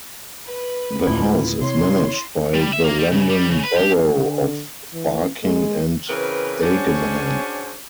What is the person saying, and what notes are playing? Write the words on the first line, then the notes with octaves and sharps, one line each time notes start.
The house is managed by the London Borough of Barking and Dagenham.
B4
D2 A2 E4 F4
C3 C#5 C6
G3
E5
A#3
G3
C#3
G3
C#3
B4
G4
D3
E3
G#3
C#3 E3 C4 A#4 B4
C#4 D4 F#4 G#4 C5 C#5